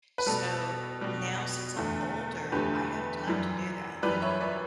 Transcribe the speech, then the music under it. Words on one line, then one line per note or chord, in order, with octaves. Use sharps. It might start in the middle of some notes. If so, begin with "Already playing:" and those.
So, now since I'm older, I have time to do that.
B4
B2 G3 A4
B2 G3
E2 D3 A3
E2 D3 A3 G4 B4
F#2 E3 G3
F#2 E3 G3 B4 D5
C#5 E5
B4 D5